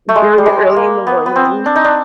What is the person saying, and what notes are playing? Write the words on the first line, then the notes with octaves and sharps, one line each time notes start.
Very early in the morning.
A3
G#3
G3
G#3
A#3
B3
B3
C4
D4
D#4
D4